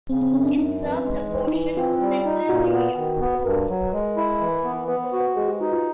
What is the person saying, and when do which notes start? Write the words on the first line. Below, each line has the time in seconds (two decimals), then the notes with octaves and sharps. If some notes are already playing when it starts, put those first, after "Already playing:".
It served a portion of central New York.
0.09 C#3 C4
0.21 C4
0.33 F#2 C#4
0.45 D4
0.57 F#2 D#4
0.82 E3
1.06 G#3
1.30 E3
1.47 D#4
1.53 E3 E4
1.77 C4 F4
2.01 G3
2.25 D#4
2.49 A#2 F#4
2.73 B3
2.97 D#3
3.20 B3
3.35 B4
3.44 G2 A#4
3.69 F#3
3.93 G#3
4.17 E4
4.41 E3
4.64 B3
4.88 B3 B4
5.04 C5
5.13 F#4
5.20 B4
5.36 G#3 G#4
5.48 G4
5.61 D#4 F#4
5.72 F4